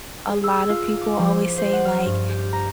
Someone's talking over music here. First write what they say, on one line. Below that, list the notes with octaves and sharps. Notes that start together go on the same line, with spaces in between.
a lotta people always say, like
G#4
E6
F4
D6
F3
C5
F#5
F6
G2
G4
A#5